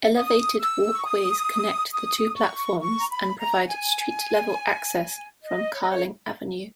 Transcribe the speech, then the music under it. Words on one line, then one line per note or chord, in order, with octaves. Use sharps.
Elevated walkways connect the two platforms and provide street level access from Carling Avenue.
D#6
E6
C#6
D#6
D#6
C#6
C#6
A#5
B5
A#5
G#5
D#5
C#5
D#5
C#5